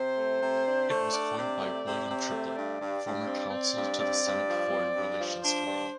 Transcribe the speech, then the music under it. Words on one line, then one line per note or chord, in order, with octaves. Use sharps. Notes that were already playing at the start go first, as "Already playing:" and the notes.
It was coined by William Triplett, former counsel to the Senate Foreign Relations Committee.
Already playing: C3 C5
A3
C3
D4
A3
D4 D5
C3
A3
C3
C3
A3
G2 D5
G2
G2
C4
C4
G2
C4 D5
G2
F3
C4
G2
F3
D4 C5
G2